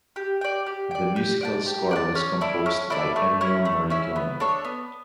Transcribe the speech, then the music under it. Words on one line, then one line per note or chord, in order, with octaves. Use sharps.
The musical score was composed by Ennio Morricone.
G4
D5 G5
G4
D5 G5
G4
D5 F#5 A5
G4
D5 F#5 A5
C#4
E4 A4 D5
C#4
E4 A4 D5
A3
C#4 E4
A3
C#4 E4
B3
D4 A4 C#5
B3